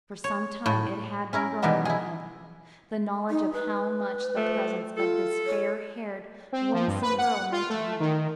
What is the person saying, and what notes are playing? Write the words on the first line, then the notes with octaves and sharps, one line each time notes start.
For some time it had been growing on him--the knowledge of how much the presence of this fair-haired, winsome girl meant to him.
C#5
A2
C#4 E4 A#4
B2 D#3 E3 G3 B3
E4 G#4
D#4
B4
F3 A3
F4 A4
C#5
C4
F3
G2
B4
F#5
F4
A3
D#3